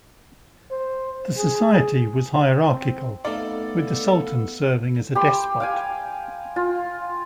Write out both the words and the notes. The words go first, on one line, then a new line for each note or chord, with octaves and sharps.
The society was hierarchical, with the sultan serving as despot.
C5
G#4
C4
A3 B3 D#4 A4 D5 F5
G4 B5 C6
F5 G5 G#5
F4